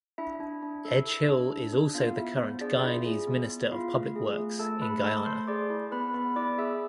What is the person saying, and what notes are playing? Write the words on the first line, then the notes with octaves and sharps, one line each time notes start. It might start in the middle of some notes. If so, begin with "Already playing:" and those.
Edghill is also the current Guyanese Minister of Public Works in Guyana.
D4 E4 E5
D4
D4
A4
A4
D4
D4
D4
B3 F4 F5
B3 E4 E5
B3 C5
D4 G#4 D5
E4 F4 E5
G#4
B3
B3
E4 F4 F5
A3
G#4
A3
A3 A4 A5
A3 B4 B5
A3 A4 A5
A3 C5 C6
G#4 D5 D6
E4
B3 B4 B5
B3 B4 B5
E4 D5 D6
G#4 E5 E6